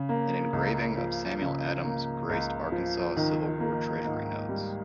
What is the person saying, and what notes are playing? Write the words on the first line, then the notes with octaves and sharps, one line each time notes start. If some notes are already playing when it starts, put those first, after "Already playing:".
An engraving of Samuel Adams graced Arkansas Civil War treasury notes.
Already playing: C#3
A#3
C#2
F3
C#3
A#3
C#2
F3
D#3
A#3
G#2
G3